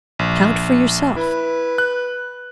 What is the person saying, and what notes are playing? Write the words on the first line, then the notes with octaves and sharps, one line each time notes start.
"Count for yourself."
A#1
E4 B4
F#6